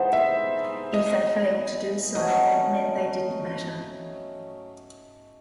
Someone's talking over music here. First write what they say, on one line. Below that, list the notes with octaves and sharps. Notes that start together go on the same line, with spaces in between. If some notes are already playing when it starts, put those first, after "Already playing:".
If they failed to do so, that meant they didn't matter.
Already playing: E3 G#3 B3 D#4 C5
E5
D#5
F#3 A3 C#4 D#5